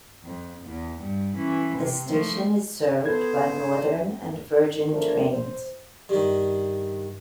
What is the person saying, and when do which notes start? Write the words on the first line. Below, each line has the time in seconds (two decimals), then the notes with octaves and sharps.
The station is served by Northern and Virgin Trains.
0.24 F2
0.65 E2
0.99 G2
1.34 E3 C#4
1.79 C3 C4
2.09 F3 A3
3.05 B3 A4 B4 C5 G#6
3.66 D4
4.91 E2 F3 A3 D4 A#4
5.33 C5
6.09 G2 D#3